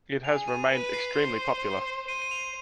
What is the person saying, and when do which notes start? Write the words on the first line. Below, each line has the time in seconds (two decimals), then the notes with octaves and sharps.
It has remained extremely popular.
0.24 G#4 F7
0.48 D#7
0.70 B4 D#7
0.93 C7
1.16 C5
2.08 C5 D#7
2.22 D#7
2.31 F7